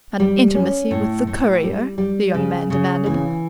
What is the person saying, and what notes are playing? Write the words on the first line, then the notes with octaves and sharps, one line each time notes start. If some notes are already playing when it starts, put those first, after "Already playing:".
"An intimacy with the courier?" the young man demanded.
G3
C#4
A2
A2
G3
G3
C#3
C#3
E3